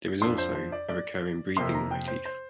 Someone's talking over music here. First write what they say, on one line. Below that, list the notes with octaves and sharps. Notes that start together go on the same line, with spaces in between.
There is also a recurring breathing motif.
F2 F3 D4 C6
C5
C5
D5
D5
F2 C3 A#3 C6
A#5
G5
C5
C5